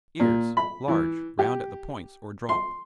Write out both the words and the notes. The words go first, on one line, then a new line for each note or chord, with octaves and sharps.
EARS--Large, round at the points or drop.
A#2
B5
E3
G4
C6